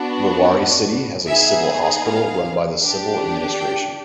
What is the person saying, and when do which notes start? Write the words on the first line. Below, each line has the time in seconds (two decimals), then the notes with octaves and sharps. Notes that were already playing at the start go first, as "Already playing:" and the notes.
Rewari city has a civil hospital run by the civil administration.
Already playing: B3 D4 F#4
1.27 B3 D#4 G#4 E5
2.04 F5
2.82 D4 G4
3.58 G5